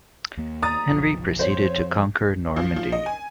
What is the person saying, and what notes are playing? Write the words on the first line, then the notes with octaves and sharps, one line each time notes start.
Henry proceeded to conquer Normandy.
D#2 A#3
A#5 D#6 A6
F#1 B1 F3
F2 C5 C#5
F3
F3
D#5
G#5